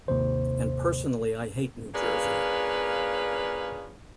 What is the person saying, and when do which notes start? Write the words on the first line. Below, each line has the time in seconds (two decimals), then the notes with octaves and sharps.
And personally I hate New Jersey.
0.08 G#1 D#2 C3 C5
1.94 A#3 C#4 D4 F4 G#4 B4